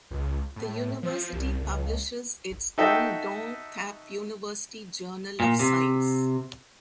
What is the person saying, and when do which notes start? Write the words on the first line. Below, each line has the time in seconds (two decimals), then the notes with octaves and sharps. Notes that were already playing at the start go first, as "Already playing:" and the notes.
The University publishes its own "Dong Thap University Journal of Science".
0.11 C#2
0.56 A2
1.03 F3
1.33 C2
1.61 C#2
2.78 D#4 F#4 A4 E5 G5
5.40 A#2
5.59 C3